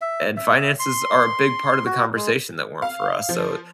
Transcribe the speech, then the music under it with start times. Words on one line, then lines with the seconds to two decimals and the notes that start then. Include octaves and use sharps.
and finances are a big part of the conversation that weren't for us, so,
0.01 E5
0.37 E5
0.79 C6
1.85 F#4
2.16 G#3
2.82 F5
3.29 F3